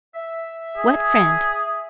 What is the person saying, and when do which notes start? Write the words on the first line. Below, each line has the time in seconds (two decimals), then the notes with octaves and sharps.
"What friend?"
0.15 E5
0.77 G#4